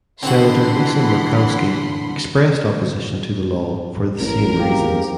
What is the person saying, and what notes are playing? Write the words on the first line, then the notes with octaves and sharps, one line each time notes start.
Senator Lisa Murkowski expressed opposition to the law for the same reasons.
D3 E3 C4 F#4 F#5 B5 C6
A1 A#4
G#2 A#3 G4